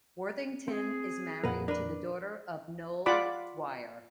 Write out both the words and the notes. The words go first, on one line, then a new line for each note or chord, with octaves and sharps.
Worthington is married to the daughter of Noel Dwyer.
C4 G#4
F2 A#2 F3 A#4 B4 F#5
D4 A#4 B4
F4 D5 F#5 B5 D6